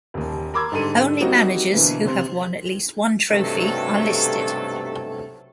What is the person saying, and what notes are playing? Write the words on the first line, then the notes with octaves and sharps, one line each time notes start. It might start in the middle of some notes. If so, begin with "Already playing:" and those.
Only managers who have won at least one trophy are listed.
D#1 D#2
A#4 B5 C6 D6 E6 G#6
G#2 D3 G3 A4 C6 D#7
F#3 G3 A#3 C4 D#4 F#4
B2 D3 E3 A#3
C3 C5
B1 G2 C3 F#3 A3 A4